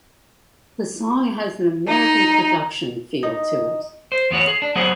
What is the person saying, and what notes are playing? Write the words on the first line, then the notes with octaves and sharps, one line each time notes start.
The song has an "American production" feel to it.
D#4
D#4
C5
E2 B3 F#4 C#5
G#4
D4
F#3 B3 G#4 C5 F#5